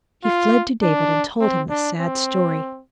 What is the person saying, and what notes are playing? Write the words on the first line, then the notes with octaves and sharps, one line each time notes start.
He fled to David and told him the sad story.
F4
D4
C4
D4
C4